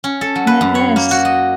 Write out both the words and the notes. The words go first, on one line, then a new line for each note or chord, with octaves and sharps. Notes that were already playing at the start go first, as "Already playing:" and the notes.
Oh my gosh.
C#4
A4
F#3
B4
F#2
C#5
A#3
F#4
D#5